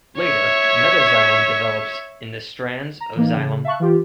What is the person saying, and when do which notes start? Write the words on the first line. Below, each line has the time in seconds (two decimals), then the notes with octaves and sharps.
Later, 'metaxylem' develops in the strands of xylem.
0.18 C#5 E5
3.00 A#5
3.16 E3 A#3 D#4
3.35 C#3
3.65 E5 F5 A5 C#6 F#6
3.80 E3 F4 G4